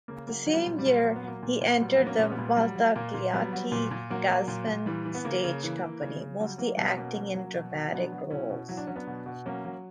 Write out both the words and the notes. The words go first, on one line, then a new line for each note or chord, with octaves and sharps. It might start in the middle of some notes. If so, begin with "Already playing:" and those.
The same year, he entered the Maltagliati-Gassman stage company, mostly acting in dramatic roles.
C#3 A#3
F#3 A#3
F#3
G3 B3
A#2
G3
A#2
F#3 A#3
B3
F#3 A#3
A#2
A#2
F#3 G3 B3
F#3 B3
A#3 C#4
A#2 C#4
G3 B3
A#2
F#3 G3
F#3
A#2 A#3
A#2
F#3 G3 B3
F#3
A#2
A#2
F#3 A#3
F#3
A#2
A#2
E3 G3
E3
B3
C#3 A#3
C#3
E3
E3
C#3
C#3
F#3 G3
F#3 A#3
B2 G3 B3
B2 A#3 C#4
F#3
F#3
B2
B2
F#3 B3 D4
F#3
B2 C#4 E4
B2
F#3 E4
D4
F#3 C#4
B3 D4
B2
B2
F#3 A#3 C#4
F#3